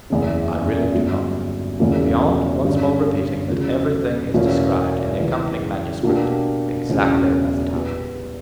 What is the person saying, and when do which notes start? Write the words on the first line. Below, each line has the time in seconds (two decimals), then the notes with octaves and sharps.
I really do not know beyond once more repeating that everything is described in the accompanying manuscript exactly as it happened.
0.10 F#1 E2 C#3
0.95 G1 G2 F#3
1.79 E1 E2 C#3 F#3 A#3
2.64 G2 D3 G3 C#4
3.48 E2 C#3 F#3
4.34 E2 B2 A#3 C#4
5.19 C#2 C#3 E3
6.03 B2 A#3 D4 G4
6.88 E1 E2 C#3 F#3 C#4
7.72 A#2 G3 B3